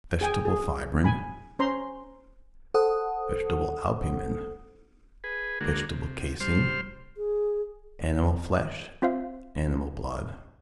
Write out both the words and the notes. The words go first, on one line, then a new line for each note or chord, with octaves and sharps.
Vegetable fibrine. Vegetable albumen. Vegetable caseine. Animal flesh. Animal blood.
G#4 G5 G#5
G#4
G#5 B5
C#4 C5 A#5 C6
A4 C5 F#5 D#6
G#4 B4
D3 G#3 A#3 F#4
C3
G3 C5 C6 F6
G#4
C4 F4 C5 E5 F5